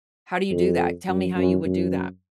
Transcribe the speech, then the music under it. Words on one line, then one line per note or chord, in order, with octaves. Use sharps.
How do you do that? Tell me how you would do that.
F2
F#2
F#2
F#2